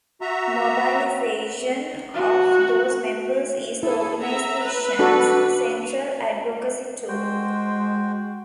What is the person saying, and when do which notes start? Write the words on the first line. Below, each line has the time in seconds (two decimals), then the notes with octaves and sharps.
Mobilization of those members is the organization's central advocacy tool.
0.21 F#4 E5 A#5
2.15 F#4
3.83 E4 G#4 A4
4.22 E5 A#5
4.62 B4
4.99 D4 F#4 A4
7.08 G#3 F#4 C5 G5